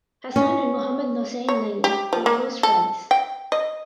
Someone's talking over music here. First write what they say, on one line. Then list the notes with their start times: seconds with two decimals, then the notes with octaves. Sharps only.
Hassan and Muhammad Hossein Naini were close friends.
0.36 C#4
1.49 C#5
1.84 G4
2.13 F3
2.26 A#3
2.63 A4
3.11 G5
3.52 D#5